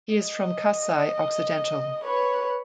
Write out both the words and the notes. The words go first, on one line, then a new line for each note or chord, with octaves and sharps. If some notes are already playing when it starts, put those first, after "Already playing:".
He is from Kasai-Occidental.
D#5
B4 C#5